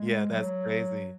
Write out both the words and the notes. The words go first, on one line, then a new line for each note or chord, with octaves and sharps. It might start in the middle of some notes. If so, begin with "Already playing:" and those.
Yeah. That's crazy.
Already playing: G#3
F#3